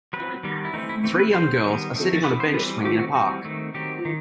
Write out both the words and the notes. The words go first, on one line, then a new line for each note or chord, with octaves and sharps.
Three young girls are sitting on a bench swing in a park.
F#3 C4 B4
D#3 G3 B3
E4
E3 A3 C4 D#4
E4
E3 A3 C4
B4
F#3 C4 C5
D#3 G3 B3
D#3 A3 C4
E3 B3 B4
C5
E3 G3 C4 B4
D#3 A3 C4 G4
F#4
E3 G3 C4 F#4
D#3 A3 C4
D#3 F#3 C4 G4
D#3